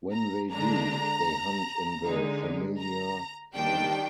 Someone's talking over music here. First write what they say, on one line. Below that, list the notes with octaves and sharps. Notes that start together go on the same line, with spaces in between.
When they do, they hunt in the familiar manner.
A#5
D3 G#3 D4 A#5
D3 G#3 D#4
A#5
D#3 G3 D4 G5